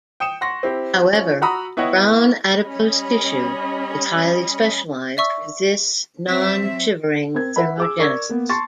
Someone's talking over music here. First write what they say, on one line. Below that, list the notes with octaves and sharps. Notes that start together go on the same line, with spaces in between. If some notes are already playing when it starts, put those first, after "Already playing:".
However, brown adipose tissue is highly specialized for this non-shivering thermogenesis.
G5 D#6 C#7 E7
F#5 C6 C#6 A#6
C4 E4 G4
F3 C#4
F#4 F#5 A#5 B5 D#6 E6
B3 E4 C#5 D#5 F#5 G5
G3 C#4 D#5 B5
D5 E5 C#6 E6
F#3 C4 E5
C4 A#4 G#6
B4 E5 F#5 B5
G#4 D6 E6
A#4 D5 C#6 E6 G#6
A#3 B3
A5 C6 C#6 A6